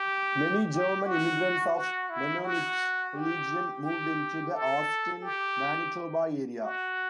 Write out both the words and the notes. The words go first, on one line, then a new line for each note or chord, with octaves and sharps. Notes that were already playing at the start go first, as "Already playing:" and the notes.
Many German immigrants of Mennonite religion moved into the Austin Manitoba area.
Already playing: G4
G4
F#4
F#4
E4
F#4
G4
G4
A4
G4
F#4